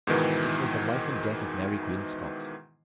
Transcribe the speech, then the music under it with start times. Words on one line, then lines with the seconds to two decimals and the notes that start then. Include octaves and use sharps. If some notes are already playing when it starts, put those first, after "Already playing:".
It was the life and death of Mary Queen of Scots.
0.07 G#2 B2 D#3 E3